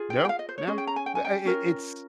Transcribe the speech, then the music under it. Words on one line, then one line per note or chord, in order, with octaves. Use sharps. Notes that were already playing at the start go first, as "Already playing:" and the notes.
No, no. But, I I it it's
Already playing: F4 G#4
G5
G5
F5
D#5
C5
C#5
C#4 G#4 D#5
G5
A#5
G#5
G5
G#5
G5
C#4 F4 A#4